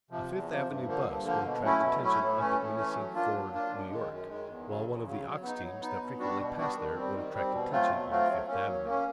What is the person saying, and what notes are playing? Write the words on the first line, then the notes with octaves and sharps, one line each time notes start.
A Fifth Avenue bus would attract attention up at Minisink Ford, New York, while one of the ox teams that frequently pass there would attract attention on Fifth Avenue.
C3 F3
E2
C3 F3
G2
D3 F3 A#3
G2
D3 F3 A#3
B2
F#3 A3 C#4 E4
B2
F#3 A3 C#4 E4
A2
E3 A3 C#4
A2
E3 A3 C#4
F#3
A#3 D4 F4
F#3
A#3 D4 F4
F#2
D#3 G#3
F#2
D#3 G#3
E2
C#3 F#3
E2
C#3 F#3
F#3
B3 D#4
F#3
B3 D#4
B2
G3 B3 D4 F#4
B2
G3 B3 D4 F#4
D#3
G3 C4
D#3
G3 C4
B2
F#3 A3 C4 F4
B2
F#3 A3 C4 F4
F#3
A#3 C#4
F#3
A#3 C#4